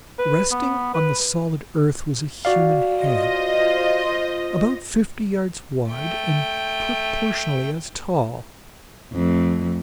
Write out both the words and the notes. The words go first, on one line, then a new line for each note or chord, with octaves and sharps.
Resting on the solid earth was a human head, about fifty yards wide and proportionately as tall.
B4
B3
B4
F#4 D5 F5
F4 C5 D#5
A3 G5
F2 A3